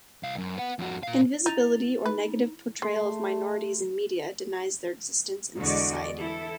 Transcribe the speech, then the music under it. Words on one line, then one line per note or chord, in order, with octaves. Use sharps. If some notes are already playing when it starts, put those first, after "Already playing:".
Invisibility or negative portrayal of minorities in media denies their existence in society.
C2 F5
F#2
B3 F#5
F2 F#4
A#2 F5
D#4 E4 A6 F7
D#4 B4
G#3 A3 G#4 C6 C7
E2 D3 G#3 F#4 D5 D#5
E3 E4 A4